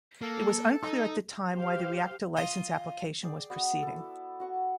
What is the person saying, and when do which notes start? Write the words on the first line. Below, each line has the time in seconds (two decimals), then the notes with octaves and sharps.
It was unclear at the time why the reactor license application was proceeding.
0.22 A#3 A4
0.83 D#4
1.53 G4 C5 F5
2.37 F4 D#5
3.23 G#4 D5 G5
3.50 B3 F#4 D5
3.83 E4 A4
4.40 F#4 F#5 C#6